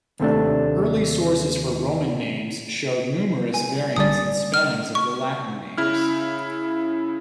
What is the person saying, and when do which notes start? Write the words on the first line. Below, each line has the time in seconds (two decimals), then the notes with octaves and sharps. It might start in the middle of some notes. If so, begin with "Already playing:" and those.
Early sources for Roman names show numerous variants and spellings of the Latin names.
0.20 D#2 C3 A3 D4
3.54 G#5
3.96 G1 D3 G3 D5 D#6
4.54 F6
4.95 C#6
5.78 C#3 E4 F6